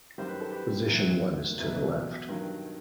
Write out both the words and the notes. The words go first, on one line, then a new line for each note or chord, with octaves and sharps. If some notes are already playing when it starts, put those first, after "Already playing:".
Position one is to the left.
F#2 D#3 G3 C5
B4
A4
G4 B4
E2 D#3 F#3
E2 B2 F#3
G2 D#3 F#3